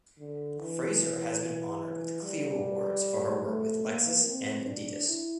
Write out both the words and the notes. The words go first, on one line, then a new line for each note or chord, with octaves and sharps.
Fraser has been honored with Clio awards for her work with Lexus and Adidas.
D3
E3
G3
A3
A#3
C4
D4
E4